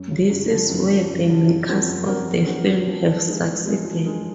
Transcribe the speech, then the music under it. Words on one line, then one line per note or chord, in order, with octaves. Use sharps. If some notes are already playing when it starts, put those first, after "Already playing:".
This is where the makers of the film have succeeded.
Already playing: F#2
C#3 F3
F#2
C#3 F3
F#2
C#3 F3
F#2
C#3 F3
F#2
F3 C4 F#4 A#4
F#2
F3 C4 F#4 A#4
F#2
F3 C4 F#4 A#4
F#2
F3 C4 F#4 A#4
F3
G#3 D#4 A#4
F3
G#3 D#4 A#4
F3
G#3 D#4 A#4